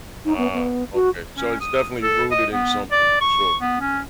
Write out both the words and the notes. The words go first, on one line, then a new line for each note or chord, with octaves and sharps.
Ah, okay. So, it's definitely rooted in something, for sure.
D#4
B3
B3
F#4
C#4
D#6
A4
D#5
B3
D5
C#6
B3
C#4